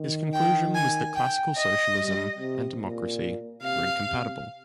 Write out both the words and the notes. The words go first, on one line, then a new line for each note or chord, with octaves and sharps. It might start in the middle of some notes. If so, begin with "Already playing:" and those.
His conclusion was that classical socialism and democracy were incompatible.
Already playing: D#3
G5
G#5
G5
D#5
G3
C3
A#2
C3 F5
C3